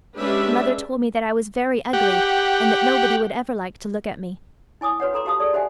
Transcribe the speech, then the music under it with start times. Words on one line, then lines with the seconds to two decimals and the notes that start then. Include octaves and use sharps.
Mother told me that I was very ugly and that nobody would ever like to look at me.
0.18 G#3 C#4 D4 G4 B4 E5
1.93 G4 F#5
4.81 E4 G#5 D6 D#6
5.00 F#4 B4 C#5 F#5
5.13 F4 A4 A#5 C6 D6
5.25 F#4 G4 F5 A5 D#6
5.40 G#4 A4 D5
5.53 F#4 G4 C5 E5 F#5 G#5